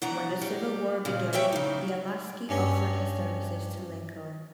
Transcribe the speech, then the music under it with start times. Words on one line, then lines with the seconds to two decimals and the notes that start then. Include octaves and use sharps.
When the Civil War began, Bielaski offered his services to Lincoln.
0.02 B2 E3 D4 F#5 A#5
0.41 G3 G4
1.05 A#2 C#3
1.33 F#4 G4 C#5 E5 G5
1.52 C#3 D#4
2.49 G2 C#4